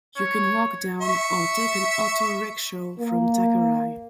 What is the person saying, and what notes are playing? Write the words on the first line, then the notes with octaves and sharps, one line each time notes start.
You can walk down or take an auto rickshaw from Takari.
C#5
E5 C#6
A#3